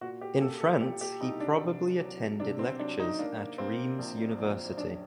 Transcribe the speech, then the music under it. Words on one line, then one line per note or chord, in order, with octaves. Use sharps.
In France he probably attended lectures at Rheims University.
A#2 F#4
G4
A#3 A4
A4
A#2 G4
G4
C2 D#4
D4
C3
F#3
C3 D4
C4
F#3 D4
D#4
A#3 D4
A#3 C4
A#1
A#1
F#2 D4